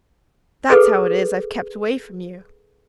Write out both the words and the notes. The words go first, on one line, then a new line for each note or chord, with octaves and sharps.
That's how it is I've kept away from you.
G#4 A4 B4